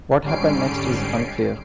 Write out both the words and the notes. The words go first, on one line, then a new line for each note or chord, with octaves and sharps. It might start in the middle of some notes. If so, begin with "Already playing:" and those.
What happened next is unclear.
G#2 D3 G3 C#4 C7 D7